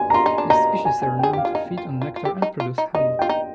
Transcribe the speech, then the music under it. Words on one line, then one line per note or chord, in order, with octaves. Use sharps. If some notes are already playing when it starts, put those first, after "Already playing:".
These species are known to feed on nectar and produce honey.
Already playing: G#5
A#5
F4 C6
D#4
D4
D#4 A#5
G#5
G#5
G#4 G5
G4 F5
F4
D#4
F4
F4
F4
G4
D#4
F4
D#4
D#4 D#5
F4 G5
D#4